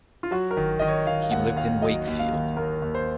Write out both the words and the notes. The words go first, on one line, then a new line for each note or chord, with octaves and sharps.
He lived in Wakefield.
F4
F#3 F#4
A#4
D#3
D#3 D#5
C#5
D#3 F5
F5
D#2 F#5
D#3 F5
F#3 D#5
D#2
F5
D#3
D#2 A#4
D#2
C5